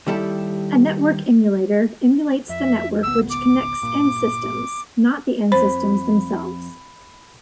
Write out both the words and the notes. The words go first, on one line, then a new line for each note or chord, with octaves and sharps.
A network emulator emulates the network which connects end-systems, not the end-systems themselves.
D#2 G3 E4 A4
F2 E5
G#1 C#2 B3 E6
D6
G1 A#2
F2 C5 B5